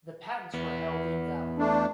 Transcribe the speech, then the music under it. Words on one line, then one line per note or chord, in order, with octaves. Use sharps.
The patents were held invalid.
E2 B3
A3 D4